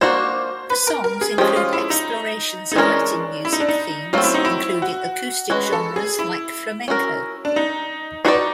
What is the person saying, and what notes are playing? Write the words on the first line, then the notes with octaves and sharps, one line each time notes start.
The songs include explorations of Latin music themes, including acoustic genres like flamenco.
A#3 D4 F#4 C5
B4
A#4
A#4
G#4
F3 G#3 C#4 G4
F4
E4
D#4
D#4
E3 G#3 C#4 D4 F4 A#4
E4
D#4
D4
D#4
F#3 A3 C4 F4
E4
D#4
E4
F#4
G#3 C#4 F#4 B4
A4
G#4
E4
C#4 F#4 A#4
D4
D#4
D4 D#4 F#4 B4 D5